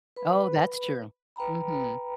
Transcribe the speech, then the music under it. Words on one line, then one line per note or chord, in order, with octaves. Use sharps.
Oh, that's true. Mhm.
B4 B5
B4 G5 A#5 B5